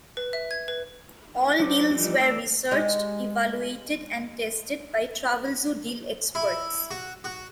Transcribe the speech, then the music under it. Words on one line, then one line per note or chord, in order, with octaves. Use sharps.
All deals were researched, evaluated and tested by Travelzoo Deal Experts.
B4
E5
G#6
B4
F#3 D4 D#4 C5 D6
E3 F3 G3 D#4
E3 A3 D5 A5 E6
G#3 G4 D#5
E4
F#4
F#4